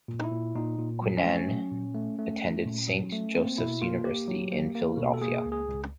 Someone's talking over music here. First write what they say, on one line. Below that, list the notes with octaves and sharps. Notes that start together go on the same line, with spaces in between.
Queenan attended Saint Joseph's University in Philadelphia.
A#2
D#4
E4
A#2
A#2 D#4
A#2
F#3
C#4
A3
F#3
A#2
A3
A3
A3
A#2
F#3
A3
A#3 C4
B2 E4
A#3 F4
A#3 G4
F#3
A#3
A#3
B2
A4
A#3 G#4
C#2
G#4
C#2